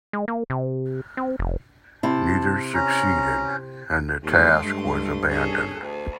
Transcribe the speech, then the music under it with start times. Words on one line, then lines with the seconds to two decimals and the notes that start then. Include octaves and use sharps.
Neither succeeded, and the task was abandoned.
0.13 G#3
0.28 A#3
0.50 C3
1.17 C4
1.39 F1
2.03 C3 E4 A5
2.75 C#4 A#5
4.23 D#2 G#3 A3 C6
4.64 G2
5.28 C#4 G#4 A4
5.81 D2